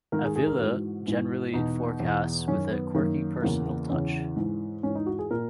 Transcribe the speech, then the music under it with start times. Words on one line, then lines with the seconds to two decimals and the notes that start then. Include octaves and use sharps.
Avila generally forecasts with a quirky personal touch.
0.12 G#2 D#3 A#4
0.24 G#4
0.36 G#4
0.47 A#4
0.59 G#2 E3 F#4
1.06 G#2 E3
1.54 E2 B2 D#4
2.00 E2 B2
2.48 F#2 D#3 C#4
2.71 B3
2.94 F#2 D#3 A#3
3.42 E2 C#3 E3 A#3
3.66 A#3
3.89 E2 C#3 E3 C#4
4.36 G#2 E3
4.83 G#2 E3 C#4
4.95 D#4
5.06 F#4
5.19 G#4
5.31 A#2 A#4